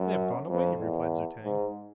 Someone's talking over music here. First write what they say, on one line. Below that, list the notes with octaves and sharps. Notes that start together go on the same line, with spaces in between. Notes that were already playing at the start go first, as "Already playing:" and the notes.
"They have gone away," replied Zu-tag.
Already playing: F#2
F2
E2
G#2